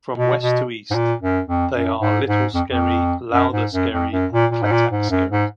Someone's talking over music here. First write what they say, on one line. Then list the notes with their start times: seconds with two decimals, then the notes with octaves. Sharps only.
From west to east, they are Little Skerry, Louther Skerry and Clettack Skerry.
0.16 B2
0.42 B2
0.90 G#2
0.95 A#2
1.22 F#2
1.47 F2
1.74 F#2
2.01 G#2
2.27 G#2
2.54 F2
2.69 F2
3.32 F#2
3.52 G#2
3.73 F#2
3.92 F2
4.12 F#2
4.32 A#2
4.52 A#2
4.63 G#2
4.72 A#2
4.92 G#2
5.10 F#2
5.31 G#2